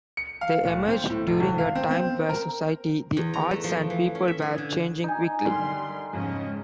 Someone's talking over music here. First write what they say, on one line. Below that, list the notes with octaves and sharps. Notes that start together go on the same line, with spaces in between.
They emerged during a time where society, the arts and people were changing quickly.
C#7
F5
D1
C4
A2
F1
G#1
F5
C4
C4
A#4
E2
A#5
A3
F3
E3
C#4
E5
G#4
D3
D#4 G#5
D3 D#3 G3 C6
F2 G#2 C#3 C#4 D#5